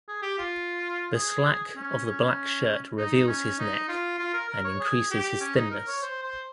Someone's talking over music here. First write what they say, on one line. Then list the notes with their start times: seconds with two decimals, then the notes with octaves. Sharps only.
The slack of the black shirt reveals his neck and increases his thinness"".
0.08 G#4
0.22 G4
0.38 F4
1.14 G#4
1.76 C#4
2.05 C#4
2.97 D#4
3.28 C#4
3.59 D#4
3.89 F4
4.19 F4
4.34 A#4
4.49 A#4
4.65 C#5
4.80 G#4
5.11 G4
5.41 C#4
5.56 D#4
5.71 A#4
5.87 C#5
6.02 C5
6.22 C5